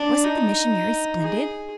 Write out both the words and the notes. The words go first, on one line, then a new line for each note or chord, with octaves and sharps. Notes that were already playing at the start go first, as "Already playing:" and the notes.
Wasn't the missionary splendid?
Already playing: D4
D#4
G#4